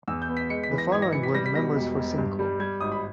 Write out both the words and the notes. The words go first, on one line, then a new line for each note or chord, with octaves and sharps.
The following were the members for Simcoe.
E2 E6
G6
B3
B6
G#3 C#7
B6
E3
A#6
G#1 G#6
A#6
E3 C#7
B6
G3 A#6
B6
B2 A#6
E1
E1
G2
G3
G3 G#6
G#1 D#6
B5